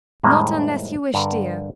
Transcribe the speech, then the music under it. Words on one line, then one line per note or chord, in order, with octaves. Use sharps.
Not unless you wish, dear.'
F2 A2 D#3 G3 G#3 A#3
G2 D3 A#4 F#5